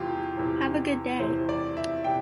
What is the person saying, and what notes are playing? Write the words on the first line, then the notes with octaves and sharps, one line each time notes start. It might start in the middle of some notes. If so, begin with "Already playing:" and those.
Have a good day.
Already playing: E2 C3 E3 F4 G4
E2 C3 E3
E2 C3 E3 C5
D5
E5
C3 E3 G5